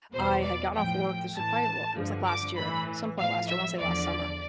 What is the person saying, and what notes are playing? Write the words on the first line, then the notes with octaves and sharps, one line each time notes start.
I had gotten off work, this was probably l it was like last year, some point last year, I wanna say last summer.
E2 B2 C5
D5
A2 F3 G5
A2 E3 A5
G2 D3 F3
D6
A2 E3 B5
A2 F3 F5
E5
E2 D3 F3 D5